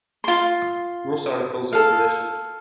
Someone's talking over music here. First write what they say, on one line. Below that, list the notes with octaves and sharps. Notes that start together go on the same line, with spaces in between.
Most articles are commissioned.
F4 C6
A4 F5